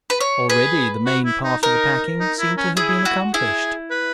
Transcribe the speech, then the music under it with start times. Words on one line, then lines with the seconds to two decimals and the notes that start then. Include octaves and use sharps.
Already the main part of the packing seemed to have been accomplished.
0.10 B4
0.20 C#5
0.49 G#4 B4
1.06 F#4
1.25 E4
1.44 D#4
1.63 D#4 A#4
2.20 D#4
2.39 E4
2.57 C#4
2.77 E4 G#4
3.05 F#4
3.34 E4 G#4
3.91 B4